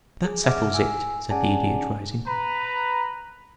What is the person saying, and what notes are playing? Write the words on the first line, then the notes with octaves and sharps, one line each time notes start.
"That settles it," said the Idiot, rising.
G#4
E5 F#5 D6 F6
G#5 E6
C#4 G#4 D5 F#5 G#5 A5
B4 A#5